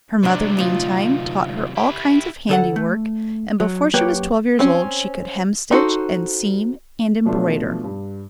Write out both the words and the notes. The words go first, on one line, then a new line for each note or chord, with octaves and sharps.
Her mother, meantime, taught her all kinds of handiwork, and before she was twelve years old she could hemstitch, and seam and embroider.
C3 F#3 D4 D#4 C5
D2 D#4 F4
E4 G4
D2 A4 F#5
A3
F#3
F#2 A#3 G4 B4 C#5 G5
C4 C#4
D4 D#4 F#4 A4 C5
B2 F3 A3 B3 D4 F4
G2